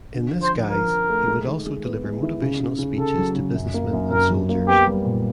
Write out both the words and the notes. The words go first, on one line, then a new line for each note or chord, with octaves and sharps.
In this guise he would also deliver motivational speeches to businessmen and soldiers.
D3
F3
C5
F3
F3 A#4
F3
A3
G#3
D#3
G#3
B3
G#3
E4
C#3
C#3
C#3
C#3 A4
F#3
C#3
F#2
A#3
F#2
F#2 A#4
F#3
A#3
B3 G4
G3
A#2